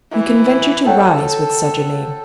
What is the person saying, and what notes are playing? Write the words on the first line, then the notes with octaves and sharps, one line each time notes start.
You can venture to rise with such a name.
E3
A4 C#5 F#5 G5